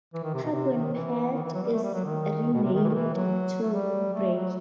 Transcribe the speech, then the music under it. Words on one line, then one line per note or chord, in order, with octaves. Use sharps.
Paguetpet is renamed to Bray.
E3
D#3
C3
B2
C3
D#3
E3
D#3
E3
F#3
G3
A3
G3
F#3
D#3
B2
C3
D#3
E3
D#3
E3
F#3
A3
G3
A3
F#3